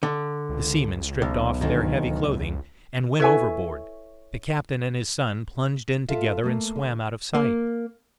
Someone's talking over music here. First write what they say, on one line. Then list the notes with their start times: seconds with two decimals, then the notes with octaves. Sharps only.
The seamen stripped off their heavy clothing, and went overboard; the captain and his son plunged in together and swam out of sight.
0.03 D3
0.49 C#2
1.22 B1
1.61 D2 D#3
3.20 E4 A4 B4 C#5 E5 G#5
6.09 F4 A4 E5 F5
6.43 A3 A#3
6.76 D3
7.35 A#3